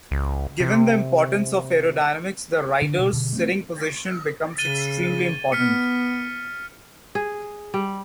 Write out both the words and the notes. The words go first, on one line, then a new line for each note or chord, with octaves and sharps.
Given the importance of aerodynamics, the riders' sitting position becomes extremely important.
C#2
C3
D3 D4
B2
B2 D3
G#3 A3 C4
C#3 A6 D#7 G7
B3 F6 B6 C#7
G#4
G3